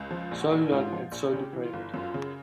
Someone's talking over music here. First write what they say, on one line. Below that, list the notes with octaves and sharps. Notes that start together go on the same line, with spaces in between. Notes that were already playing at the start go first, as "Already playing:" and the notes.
So young and so depraved!
Already playing: C#2
F3 F4
A#1
F#4
A#1
G#2 F4
F3
A#1
C#3 G4
E3
F4
G1
F#2 F4
C#3